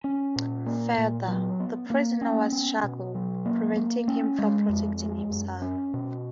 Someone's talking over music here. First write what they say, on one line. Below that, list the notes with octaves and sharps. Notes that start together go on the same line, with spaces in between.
Further, the prisoner was shackled, preventing him from protecting himself.
C#4
A#2
A#3
A#2
F#3
B3
A#3
C#4
B3
B2
F#3
A#3
A#3
C#4
G#3
F2
G#3
F#2
C#4
B2